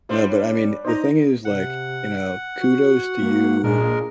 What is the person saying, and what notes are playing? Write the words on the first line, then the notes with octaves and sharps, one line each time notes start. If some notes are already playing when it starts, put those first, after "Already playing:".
No, but, I mean, the thing is, like, you know, kudos to you,
G3 D4 F4 C5
C#5
D#4 C5 D#5 A#5
C3 F#5
F#4
A#3
A#2 G#3 D4 G#4 A#4